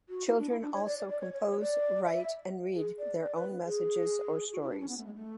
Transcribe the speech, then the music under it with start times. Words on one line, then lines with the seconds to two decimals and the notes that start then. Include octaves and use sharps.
Children also compose, write and read their own messages or stories.
0.09 F#4
0.27 E4
0.38 D4
0.50 E4
0.61 D4
0.73 C#5
0.85 D5
0.98 D5
1.09 D5
1.21 C#5
1.33 C#5
1.51 C#5
1.60 D5
2.04 E5
2.16 E5
2.75 G#4
2.98 D5
3.22 D5
3.35 B4
3.64 G#4
4.53 F#4
4.62 E4
4.70 D4
4.80 C#4
4.88 B3
4.98 A3
5.06 G#3
5.15 A3